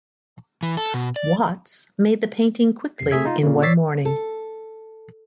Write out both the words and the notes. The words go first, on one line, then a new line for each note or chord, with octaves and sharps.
Watts made the painting quickly in one morning.
E3
A4
B2
D5
F2 C3 C7
C3 A3 G#4 E5 G#6
D#4 F4
A#2 C#3
C#5 D5 E6 A6 B6 C7
A4